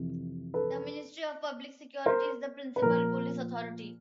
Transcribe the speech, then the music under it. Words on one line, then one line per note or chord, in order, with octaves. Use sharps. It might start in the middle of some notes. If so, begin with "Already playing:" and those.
The Ministry of Public Security is the principal police authority.
Already playing: F2 C3 E3
A4 B4
A#4 C5
B4
A#2 F3 A#4